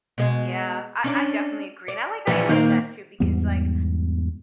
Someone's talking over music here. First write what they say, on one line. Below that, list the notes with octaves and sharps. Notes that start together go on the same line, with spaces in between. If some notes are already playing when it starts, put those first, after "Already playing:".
Yeah, I I definitely agree, and I like how you said that too, because, like,
B2 G#3
C#4 D4 D5
D5
A#1 E3 B4
A#2 D#3 A#3 C4
E2 G#2 G3 B3